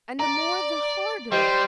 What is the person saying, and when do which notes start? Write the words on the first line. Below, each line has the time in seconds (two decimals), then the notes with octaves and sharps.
And the more the harder!
0.19 D5 A#5
1.32 G3 G4 C5 D#5